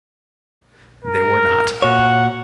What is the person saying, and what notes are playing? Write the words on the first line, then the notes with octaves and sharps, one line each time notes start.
They were not.
A#4
A#2 F#4 C#5 F#5